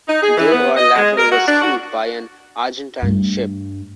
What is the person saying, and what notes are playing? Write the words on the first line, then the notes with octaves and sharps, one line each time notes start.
They were later rescued by an Argentine ship.
D#4
G#4
E3
B3
D#5
G#3
A#4
F#4
D4
F#4
G2 A3